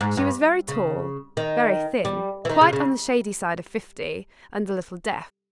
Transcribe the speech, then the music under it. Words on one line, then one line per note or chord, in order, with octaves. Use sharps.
She was very tall, very thin, quite on the shady side of fifty, and a little deaf.
G#2
G2
C#3
D#3
G3
E3
D#3
C#3
C#3